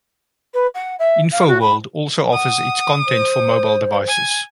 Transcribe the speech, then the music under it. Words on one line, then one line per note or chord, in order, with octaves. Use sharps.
InfoWorld also offers its content for mobile devices.
B4
F#5
E5
F5
F#4
B5
F#5 D#6
C5
G#5